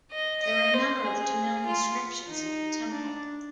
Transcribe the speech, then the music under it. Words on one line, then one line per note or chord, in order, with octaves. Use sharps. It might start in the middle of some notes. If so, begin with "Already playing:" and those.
There are a number of Tamil inscriptions in the temple.
D#5
D#5
C5
G#4
F4
D#4
D4